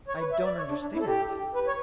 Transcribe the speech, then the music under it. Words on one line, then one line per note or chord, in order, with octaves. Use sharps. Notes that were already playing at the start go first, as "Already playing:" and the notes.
"I don't understand."
C#5
B4
E5
D5
C#5
D4
D4
E4
A4
G4
B4
C#5